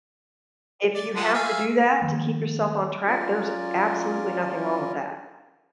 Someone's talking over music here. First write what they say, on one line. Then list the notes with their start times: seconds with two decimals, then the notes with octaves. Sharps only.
If you have to do that, to keep yourself on track, there's absolutely nothing wrong with that.
0.95 D5
1.16 F3 G#3 F#5
1.34 E5 F5 G#5
2.02 D#3 F3 A#3
3.06 F#3 C#4 F4 A#4 D5